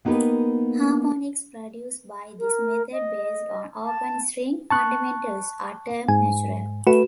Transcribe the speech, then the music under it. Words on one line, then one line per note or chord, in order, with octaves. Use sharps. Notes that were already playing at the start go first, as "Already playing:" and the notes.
Harmonics produced by this method based on open-string fundamentals are termed natural.
A#3 B3 D#4 G4 A#4 B4
A#4
D#5
A5
A5 C#6 F#6
G#2 G#5
A3 F#4 B4 E7